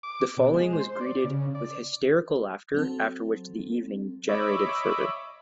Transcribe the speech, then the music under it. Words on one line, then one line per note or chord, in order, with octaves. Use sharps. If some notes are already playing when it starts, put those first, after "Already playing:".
The following was greeted with hysterical laughter after which the evening degenerated further.
D6
B2
G#3
C5
D5
C#3
D5
F#3 C4 A4
C#5 D#5 E5 B5 D6